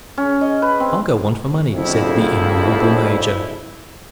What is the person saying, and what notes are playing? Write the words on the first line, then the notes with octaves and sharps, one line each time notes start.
"I'll go on for money," said the immovable major.
C#4
D#5
B4
C4
F#1 F2 D3 E4